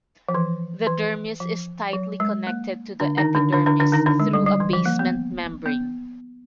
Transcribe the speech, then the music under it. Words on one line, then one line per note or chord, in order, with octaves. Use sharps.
The dermis is tightly connected to the epidermis through a basement membrane.
F3
E3
E3
F3
F#3
G#3
A#3
D3 D4
D#3 D#4
D3 D4
D3 D4
D3 D4
D3 D4
D#3 D#4
D3 D4
G#3
G3
G3
E3
F3
A#3
B3
B3